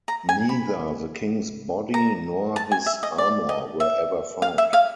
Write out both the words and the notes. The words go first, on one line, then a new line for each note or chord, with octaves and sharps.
Neither the king's body nor his armor were ever found.
A#5
G#5
B5
A#5
A5
G#5
E5
D#5
D5
D#5
E5
F5
E5
F5